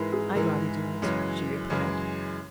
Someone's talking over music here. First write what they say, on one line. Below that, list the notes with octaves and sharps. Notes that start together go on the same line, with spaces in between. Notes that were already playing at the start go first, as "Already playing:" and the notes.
"I'd rather do it," she replied.
Already playing: G#2 E3 G#3 E4 A#4 B4
G#4
G#2 E3 G#3 A#4
F#2 C#3 E3 G#3 C#5
F#2 C#3 E3 G#3